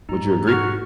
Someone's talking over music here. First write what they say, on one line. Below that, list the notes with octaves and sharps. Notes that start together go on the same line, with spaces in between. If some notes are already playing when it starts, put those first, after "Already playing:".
Would you agree?
G#2 D#4 A#5
F#4 F6